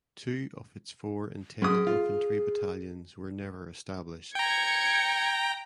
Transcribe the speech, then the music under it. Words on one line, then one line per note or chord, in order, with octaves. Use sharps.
Two of its four intended infantry battalions were never established.
F#2 G#4 D#6
F4
G5 A#5 G#6 C#7